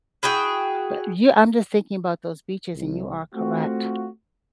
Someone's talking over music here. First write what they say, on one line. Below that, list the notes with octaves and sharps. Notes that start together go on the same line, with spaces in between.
but you I'm just thinking about those beaches, and you are correct.
E4 F#4 G#4 G5
C2
A3 C4 F4 F#4